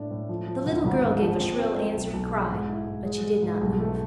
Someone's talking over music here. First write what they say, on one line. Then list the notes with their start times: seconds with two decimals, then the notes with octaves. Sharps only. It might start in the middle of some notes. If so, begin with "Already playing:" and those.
The little girl gave a shrill answering cry, but she did not move.
Already playing: A2 D4
0.11 A2
0.29 F3
0.47 F3
0.66 D2
0.85 G#1
1.03 G#2
1.22 F3
1.39 C4
1.59 C4
1.77 A3
1.95 B1
2.13 B1
2.32 G#3
2.50 G#2
2.69 E4
2.87 G#2
3.05 G#3
3.24 G#3
3.43 G#2
3.61 B1
3.79 A3